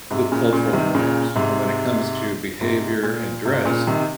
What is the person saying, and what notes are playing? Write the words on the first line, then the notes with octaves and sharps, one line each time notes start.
the cultural norms, and when it comes to behavior and dress,
G#2 C3
A#2 C#3
A#2 C#3
C3 D#3
A#2 C#3
G#2 C3
G#2 C3
A#2
G#2 C3
A#2 C#3
C3 D#3